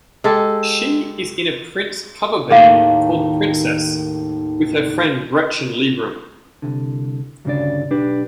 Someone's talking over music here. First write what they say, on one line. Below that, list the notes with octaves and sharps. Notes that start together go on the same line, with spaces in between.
She is in a Prince cover band called Princess with her friend Gretchen Lieberum.
G#3 G4 A4
D#2 A2 D#3 G#4 F5
C2 D3
D2 G2 C#3 D4 D5
B1 D4 G4 B4